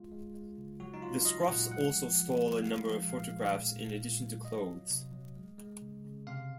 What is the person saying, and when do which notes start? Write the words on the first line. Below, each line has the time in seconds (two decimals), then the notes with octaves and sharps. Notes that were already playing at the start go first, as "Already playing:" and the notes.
The scruffs also stole a number of photographs in addition to clothes.
Already playing: G#3 F4
0.11 G#3
0.34 G#3
0.58 C#3
0.80 F#3 F#4
0.94 D#4
1.02 F#3 F4
1.21 F5
1.25 F#3 D#5
1.48 A#2 F#5
1.71 G#3 F#5
1.94 F3
2.16 F3
2.39 G#3
2.62 G#3 F5
2.85 F3
3.08 A#2 F5
3.31 G#3
3.53 A#2
3.76 A#2
3.98 A#2
4.22 F#3
4.44 F#3 D#5
4.68 F#3
4.90 C3
5.12 F#3
5.36 G#3
5.58 G#3
5.81 C#3
6.04 C#3
6.27 C3 F5